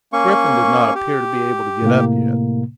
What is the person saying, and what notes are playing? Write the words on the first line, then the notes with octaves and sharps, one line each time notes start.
But Griffin did not appear to be able to get up yet.
A#3 C#4 C#6
G4
A2 C3 A#3